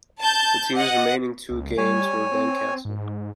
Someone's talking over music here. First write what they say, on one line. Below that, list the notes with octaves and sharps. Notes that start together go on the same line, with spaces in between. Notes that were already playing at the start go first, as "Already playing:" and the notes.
The team's remaining two games were then cancelled.
A5 G6
D#5 F#5
C#2
G3 C#5 G#5
C4
G#2